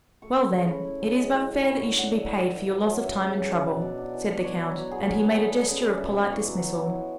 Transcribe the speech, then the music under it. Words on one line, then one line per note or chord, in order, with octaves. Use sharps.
"Well, then, it is but fair that you should be paid for your loss of time and trouble," said the count; and he made a gesture of polite dismissal.
A3 C#6
C#3 B5
C#3 C#6
C#4 B5
E4
F#3
G#3
A2
A2
C#4 B5
D3 C#6
D3 F#5
D4 E5
E3
E3
E4
F#3
F#3
C#4 E5
C#3
C#3
D4 D5
B2
B2
D4
E3
E3
E4 C#5
F#3
F#3
B3 G#4
D3
D3
B3
E4
C#3
D4 D5
B2 E5
B2 D6
E4 C#6
F#3
F#3
E4
E3